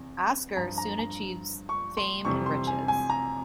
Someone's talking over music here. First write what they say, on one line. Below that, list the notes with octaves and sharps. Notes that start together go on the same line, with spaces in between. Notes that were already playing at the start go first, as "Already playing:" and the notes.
Oskar soon achieves fame and riches.
Already playing: E2 C3
G2 F3 A#5
A#5
A#5
C#6
C6
F2 C3 E3 G3 C#6
C6
G#5
G#5
A#5